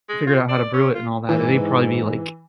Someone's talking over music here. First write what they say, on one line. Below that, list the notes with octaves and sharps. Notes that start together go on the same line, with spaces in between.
figured out how to brew it and all that and they'd probably be, like,
G#3
F4
D5
C#4
F4
G#2 E3